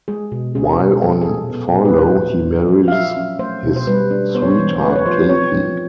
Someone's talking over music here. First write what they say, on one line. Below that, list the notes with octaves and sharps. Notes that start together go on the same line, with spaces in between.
While on furlough he marries his sweetheart Kathy.
G#3 G#4
B2
C#4 G#4
B2
F#3 G#4
A4
A#2 G#4
B3
A#2
B4
A3 C5
F3
D4
F3
F5
F#3 E5
C#4
A3 C5
B2
C5
G3 B4
D4
B3 C5
C#5
C5
E3
C5
A3 B4
C#5
F3 C5
C4 C#5
F3